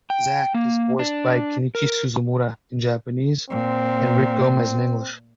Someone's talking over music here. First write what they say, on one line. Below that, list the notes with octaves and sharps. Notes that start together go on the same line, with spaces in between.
Zack is voiced by Kenichi Suzumura in Japanese and Rick Gomez in English.
G5
A#3
D4
A#4
A#2 C4